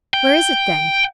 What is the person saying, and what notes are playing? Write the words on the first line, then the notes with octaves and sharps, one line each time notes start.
"Where is it, then?"
G5